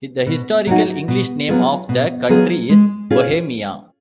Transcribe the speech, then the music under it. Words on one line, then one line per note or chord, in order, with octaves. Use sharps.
The historical English name of the country is Bohemia.
B2
F#3 A#3 D#4 F#4
B2
F#3 B3 F4 G#4
B2
F#3 B3 F4 G#4
G#3
C#4 F4 G#4